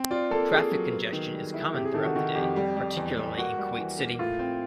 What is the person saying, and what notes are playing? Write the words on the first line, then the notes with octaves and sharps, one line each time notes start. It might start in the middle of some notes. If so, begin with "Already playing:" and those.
Traffic congestion is common throughout the day, particularly in Kuwait City.
Already playing: C4
F4 D5
A#3 A4
A#3 G#4
F#3
B3
D#3
G3
E4
C3 G4
G#4
D#3 A4
F#4
D#3 F#4
F2 G4
G3
G3
E2
G3
A#3 F#4
G3
E3
A#3
A2 F4
C4